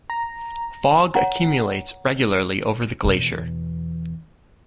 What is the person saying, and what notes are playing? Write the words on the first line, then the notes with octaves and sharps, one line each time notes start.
Fog accumulates regularly over the glacier.
A#5
C#5 F#5 A#5
E2 B2